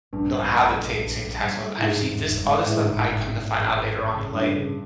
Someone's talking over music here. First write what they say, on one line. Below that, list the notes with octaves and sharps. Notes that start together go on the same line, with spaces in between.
don't have the ta same tax laws. I've seen this all this stuff, I come to find out later on in life,
A#1 G2
A#1
A#1
A#1
A#1
A#1
G3
G3
A2
G#2 G#3
E2
F#1
G#3
A2 G#3
G#2
F#1 A2
F#1
B2
G#1
G#1
F#2
C#3
G2 C#3
C#3